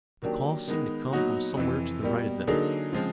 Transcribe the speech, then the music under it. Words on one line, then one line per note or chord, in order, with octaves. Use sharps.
The call seemed to come from somewhere to the right of them.
D#3 F#3 A#3 D4 G4
D#3 G#3 B3 D#4
A#2 F#3 B3 D#4 F#4
F2 C3 E3
B2 G3 A#3
D3 F#3 A#3 D#4 G#4
C#3 F3 G#3 C4 F4